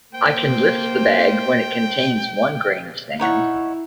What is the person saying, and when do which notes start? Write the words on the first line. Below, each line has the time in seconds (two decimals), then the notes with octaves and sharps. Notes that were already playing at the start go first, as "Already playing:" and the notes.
I can lift the bag when it contains one grain of sand.
0.15 A#3 C5 G5
3.19 D#4 E4 C#5 F#5